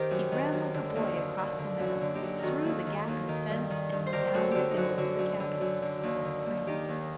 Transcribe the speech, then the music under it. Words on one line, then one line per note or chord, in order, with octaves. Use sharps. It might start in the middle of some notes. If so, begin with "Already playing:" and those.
He ran like a boy across the meadow, through the gap in the fence, and down the hill to the cabin by the spring.
Already playing: D#3 G4 A#4 C5
F#2
D#3
F#2
D3
D#2
D3
D#2
D3
F#2
F#4
D3
D#4 G4
F#2
D#3 F#4 A4 A#4
D#2
D#3
D#2
D#3
G2
D#3
G2
C5
D3 G4 A#4
F#2 F#4 A4
D3 F#4 G4
D#4
F#2 F#4
D3 F#4
F#2
D3
F#2
D3
D#2
D3
D#2
D#3 D#4 G4
D#2